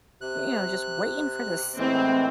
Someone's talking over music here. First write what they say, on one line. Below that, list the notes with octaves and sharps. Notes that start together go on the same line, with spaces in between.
you know, just waiting for this
C3 F#6
A2 E3 G#3 C4